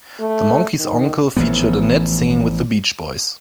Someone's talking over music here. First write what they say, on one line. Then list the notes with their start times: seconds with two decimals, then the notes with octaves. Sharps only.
"The Monkey's Uncle" featured Annette singing with the Beach Boys.
0.20 A3
0.80 D#3
1.37 A1 E3 F3 B3